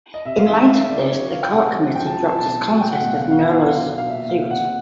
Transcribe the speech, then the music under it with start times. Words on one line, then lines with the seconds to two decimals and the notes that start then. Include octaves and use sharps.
In light of this, the court committee dropped its contest of Nolo's suit.
0.14 D#5
0.25 C3 E5
0.39 F5
0.46 D#3 E5
0.68 D#3 F5
0.79 E5
0.89 D#3 D5
0.99 D5
1.11 F#3 C#5
1.32 F#3 F5
1.43 G5
1.52 C3 F#5
1.74 F#3
1.95 F3 G5
2.07 A5
2.17 F3 A5
2.28 A5
2.38 B2 A5
2.59 F#3
2.80 F#3 G5
2.91 F#5
3.02 B2 F#5
3.13 F5
3.22 B2 F#5
3.31 F5
3.42 B2 F#5
3.51 F5
3.60 F#5
3.66 F#3 F5
3.87 B2
3.98 F5
4.08 A#2 E5
4.29 A#2 F5
4.51 C3 F#5